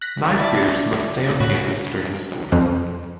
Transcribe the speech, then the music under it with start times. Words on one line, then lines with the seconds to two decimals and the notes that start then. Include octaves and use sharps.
Ninth graders must stay on campus during the school day.
0.01 F#6 A#6 B6
0.37 E4 D5 A5
1.40 A2 F#4 C#5 B5
2.52 F2